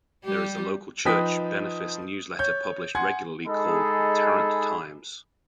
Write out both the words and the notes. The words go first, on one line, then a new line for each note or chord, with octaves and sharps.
There is a local church benefice newsletter published regularly called the Tarrant Times.
G3 G4
F3 D#4 B4 G5 D#6 B6
C#5 G6
F#5 G#5 C6 G#6
G#3 D#4 G#4 A4 D#5 B5